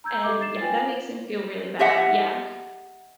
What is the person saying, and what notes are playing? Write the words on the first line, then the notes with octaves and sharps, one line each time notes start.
and yeah, that makes him feel really bad, yeah.
A#5 E6 G6 G#6
G4 A4 D#5 E5 D6
A6 C7 E7
F4 B4 G5 G#5
G4 D#5 E5 F#5